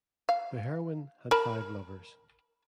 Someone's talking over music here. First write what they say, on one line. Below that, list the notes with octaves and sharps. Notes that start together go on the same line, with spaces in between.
The heroine had five lovers.
F5
A#4 A5 B5